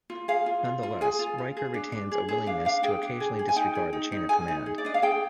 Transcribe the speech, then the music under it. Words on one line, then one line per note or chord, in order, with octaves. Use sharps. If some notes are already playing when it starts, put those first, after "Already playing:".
Nonetheless, Riker retains a willingness to occasionally disregard the chain of command.
F4
G#4 F5
F4
F4
F4
G#4 G#5
F4
F4
G#4
D4
D4
G#4
G#4
D4 F5
D4 F5
G#4 G5
D4
G#4
G#4
G#5
D#4 G5
G#4
D#4
D#4
G#4 G#5
D#4
G#4
D5
D4 D#5
F5
G#4 G5